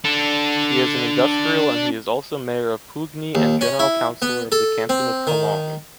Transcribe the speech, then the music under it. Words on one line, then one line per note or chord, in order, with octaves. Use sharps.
He is an industrial and he is also mayor of Pougny and general councilor of the canton of Collonges.
D4 A4
D#2
C#4
E4
B3
A4
C4
D#3